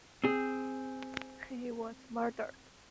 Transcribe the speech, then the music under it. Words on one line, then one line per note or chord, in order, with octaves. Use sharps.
He was murdered.
C4 G#4